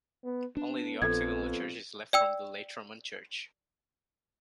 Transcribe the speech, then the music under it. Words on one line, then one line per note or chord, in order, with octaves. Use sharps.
Only the octagonal church is left from the late roman church.
B3
B3 D4
A#1 F2 A4 G#6
D5 G5 E6